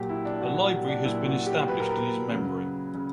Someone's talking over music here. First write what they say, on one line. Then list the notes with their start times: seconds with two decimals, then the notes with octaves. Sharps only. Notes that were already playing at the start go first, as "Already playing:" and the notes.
A library has been established in his memory.
Already playing: A#2 F#3 G4
0.09 E4
0.25 D4
0.41 A#2 F#3 F#4
0.73 G4
0.88 D4
1.05 A#2 F#3 E4
1.25 F#4
1.46 G4
1.67 A#2 F#3 B4
1.80 A#4
1.92 B4
2.31 C#3 F#3
2.94 C#3